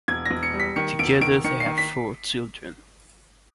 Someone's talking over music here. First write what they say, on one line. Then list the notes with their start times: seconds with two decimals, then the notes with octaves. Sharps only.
Together they have four children.
0.08 E1 G#6
0.25 A#6
0.31 E1
0.43 C#7
0.53 G3
0.60 B6
0.76 D#3 C#7
0.99 E1 D7
1.21 D#3 D7
1.44 D#3 C#7
1.60 C7
1.66 D#3
1.78 B6